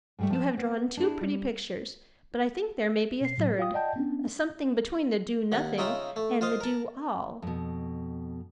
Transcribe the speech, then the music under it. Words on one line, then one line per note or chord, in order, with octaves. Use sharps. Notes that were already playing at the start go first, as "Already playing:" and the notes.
You have drawn two pretty pictures; but I think there may be a third--a something between the do-nothing and the do-all.
G#2 G3 A3
F3 A5
B3
D4 E4 G#4
G3
E5
B2 C7
A2 F#3
F4 F5 G5 D#6
D5 D#5 F#5 G5 A5 G6
B3 C#4 D4
D#2 F#5
C#3 D#4 F4 E5 G5 A#5
A3
F4 C5 D#5 F5
A#4 A5
F2 B2